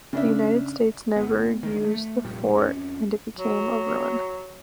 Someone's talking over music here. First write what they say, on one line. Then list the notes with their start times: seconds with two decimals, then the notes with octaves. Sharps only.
The United States never used the fort and it became a ruin.
0.13 C#3 D4 E5
1.16 G1 B3
1.63 D2 D#3
1.84 A3
2.24 F1 A#2 G3
2.55 F2 C#4
3.37 F#3